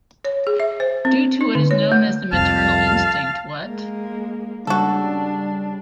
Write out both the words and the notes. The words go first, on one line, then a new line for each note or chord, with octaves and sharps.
Due to what is known as the maternal instinct, what?
C#5
G#4
E5
C5
C4
D#4
D3
C#5
A3
C2 F2 F5 A5
G#3 A#3
C#3 G3 D4 F#4 A4 A5